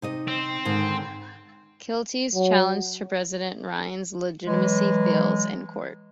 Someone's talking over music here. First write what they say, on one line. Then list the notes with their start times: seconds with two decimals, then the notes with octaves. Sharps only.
Kealty's challenge to President Ryan's legitimacy fails in court.
0.02 C3 D#4 D#5
0.27 C4
0.65 G#2 D3 D#3
2.35 F#3
4.46 E3 F#3 G#3